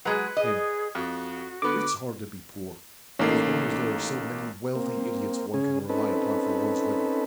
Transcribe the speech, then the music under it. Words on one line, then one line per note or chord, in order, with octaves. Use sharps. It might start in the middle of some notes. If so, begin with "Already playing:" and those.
HIM: It's hard to be poor, as long as there are so many wealthy idiots one can rely upon for one's living.
F#3 G#3 B4 F#5
G#4 D#5
F2 F#4
D3 B3 D6
A1 A#3 C#4 D#4 A4 C7
A#3 C4
C#3 C#4 G#4
C4 C#4 D#4 A4 B4